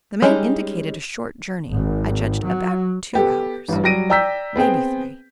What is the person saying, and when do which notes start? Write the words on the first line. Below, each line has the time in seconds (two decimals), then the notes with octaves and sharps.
The man indicated a short journey; I judged about two hours, maybe three.
0.22 G3 G#3 C#4 D#4
1.70 G#1
2.44 F#3
3.14 B3 G4 A4
3.69 A1 G2
3.84 F#3 G3 A#6 D7 D#7
4.10 D5 G5 A#5 E6 G6 B6
4.56 B3 C4 G#4 G5